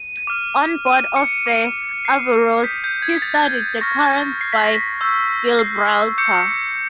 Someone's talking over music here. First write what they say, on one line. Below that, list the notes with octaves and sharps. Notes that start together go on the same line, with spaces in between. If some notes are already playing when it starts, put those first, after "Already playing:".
On board of the "Averroes", he studied the currents by Gibraltar.
Already playing: D#7
D6 F6
D#7
C#7
D6 F6
C7
D#6 G6 B6
G6
G#6
A6
C#6 F6 A#6
C7
B6
A#6
B6
C#6 E6 G6
C7
D6 G6 C#7